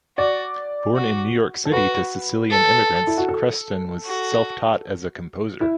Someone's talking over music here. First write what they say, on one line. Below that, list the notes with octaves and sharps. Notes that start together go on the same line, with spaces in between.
Born in New York City to Sicilian immigrants, Creston was self-taught as a composer.
F#4 D5
F#4
A4
F#4 B4
A4
E4
F#4
A4
F#4
E4